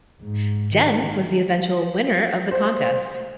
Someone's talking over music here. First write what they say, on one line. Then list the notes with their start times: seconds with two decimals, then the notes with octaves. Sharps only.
Jen was the eventual winner of thecontest.
0.22 G#2
0.74 D#3
2.51 C5